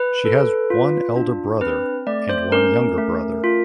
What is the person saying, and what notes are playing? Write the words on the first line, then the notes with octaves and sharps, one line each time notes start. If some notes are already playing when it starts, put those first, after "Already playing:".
She has one elder brother and one younger brother.
Already playing: B4
A4
F4
D4
C4 B4
A3 D5
C5
C#4 A#4
A3
F4